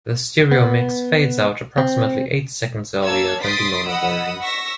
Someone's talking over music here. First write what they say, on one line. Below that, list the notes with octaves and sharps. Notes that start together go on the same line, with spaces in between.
The stereo mix fades out approximately eight seconds earlier than the mono version.
B3
C4
A#3 C#5 A5 E6 G#6
C6 D#6 A6 B6 C7 D7
D#5 F#5 B5 D#6 E6
C#6 E6 A#6 B6